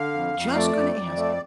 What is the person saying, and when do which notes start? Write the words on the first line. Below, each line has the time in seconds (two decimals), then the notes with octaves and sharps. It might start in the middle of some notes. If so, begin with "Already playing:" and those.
Just gonna ask.
Already playing: D3 F5
0.13 F2
0.34 F2
0.55 A3 D5
0.75 F2
0.96 F2
1.16 A3